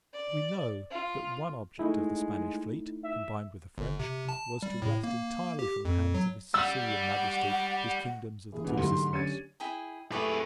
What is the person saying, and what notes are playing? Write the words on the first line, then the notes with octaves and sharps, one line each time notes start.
We know, that one object of the Spanish fleet, combined with the French, was to wrest entirely from the hands of his Sicilian Majesty his kingdoms of the Two Sicilies.
D5
F4
G#3 A3 D#4 E4
E5
G1
C3
A5
G3
A2
A#3
G4
F2
F#3
G3 F#5 E6
D#2 E3 G#4
C2 F#2 B2 E3
G#2 D3 E3 F#3 G3 A3 B3 C6
G#4
C#4 D4 G4 G#6 A6 C#7 D#7
E4 G#4 G5
A3 G4 G#4 B4 C#5